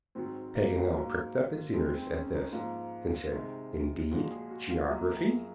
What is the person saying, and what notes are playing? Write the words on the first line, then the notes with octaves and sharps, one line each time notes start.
Paganel pricked up his ears at this, and said, "Indeed, geography!"
G#2 D#3 F#3 C4
A#3
G#2 F#3 A#3
F2 D#3 G#3 C4
C4
C#4
D#4
G#2 F3 A#3 F4
C3 D#3 G#3
A#2 F3 G#3 F#4
G#4
F#4
F4
F#2 F3 A#3 F#4
A#4
G#4